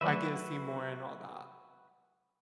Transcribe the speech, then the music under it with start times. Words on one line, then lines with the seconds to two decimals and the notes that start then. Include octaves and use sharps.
I get see more and all that."
0.01 D#3 F#3 A3 F#4 B4 E5